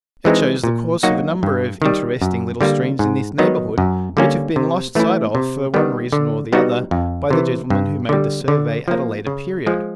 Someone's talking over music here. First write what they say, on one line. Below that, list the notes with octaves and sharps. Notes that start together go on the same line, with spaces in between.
It shows the course of a number of interesting little streams in this neighbourhood which have been lost sight of for one reason or the other by the gentleman who made the survey at a later period.
E3 G#3 C4 D#4
A#2
F#3 A#3 D#4 F#4
G2
D#3 G3
F#2
D3 G3 A#3
G#2
D#3 F#3 B3 D#4
F#2
D3 G3 A#3 C#4
C3
E3 A3 C#4 E4
C3
D#3 G3 B3
D3
G3 B3 D#4 F#4
F2
C3 E3
G2
D3 G3
D3
F3 A#3
C#3
F3 G#3